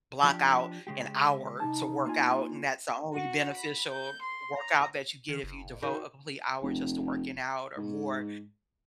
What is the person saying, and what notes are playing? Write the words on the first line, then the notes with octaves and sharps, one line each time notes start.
block out an hour to workout, and that's the only beneficial workout that you get if you devote a complete hour just to working out or more,
F3 D4 G4
C#3 G#3 G4
C3 F#3 D#4 A5
A#3 F4 G#5
F#4
B5
G6
C6
A#5
D#3
F#1
D#3 F#4
F1
G#2